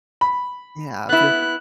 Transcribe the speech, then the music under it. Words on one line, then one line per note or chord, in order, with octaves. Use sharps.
Yeah, if you're
B5
B3 E4 F#6